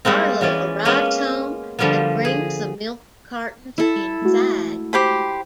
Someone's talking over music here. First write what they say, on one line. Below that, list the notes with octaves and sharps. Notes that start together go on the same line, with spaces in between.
Carlo arrives home and brings the milk cartons inside.
G3 G#3 A#3 C4
E3 B3 C#4 D5
G#3 A#3 B3 C#4
D3 F3 G3 A#3 B3
G#4
E4 A4
G#3 A3 F#4
G4 C5 B5